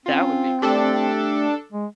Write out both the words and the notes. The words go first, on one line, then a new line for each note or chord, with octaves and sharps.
That would be cool.
C4 C#4 F4
A3 D4 G4 A4
G#3